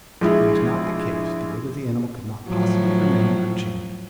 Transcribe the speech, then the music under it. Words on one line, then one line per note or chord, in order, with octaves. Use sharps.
Were this not the case, the weight of the animal could not possibly remain unchanged.
A#1 G#3 E4 G#4
A2 F3 F#3